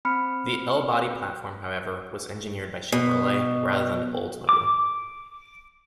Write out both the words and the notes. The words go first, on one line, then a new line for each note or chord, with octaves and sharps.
The L-Body platform however, was engineered by Chevrolet rather than Oldsmobile.
C4 B5 F6 C#7
B2
D6